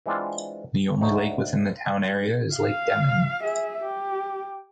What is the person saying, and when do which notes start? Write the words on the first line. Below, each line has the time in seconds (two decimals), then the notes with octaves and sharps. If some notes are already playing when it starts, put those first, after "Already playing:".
The only lake within the town area is lake Demmin.
0.06 E3 G#3 C4 D4 F4
1.01 D2 D#4 C#5
2.55 F5
3.42 G#4 E5
3.84 G4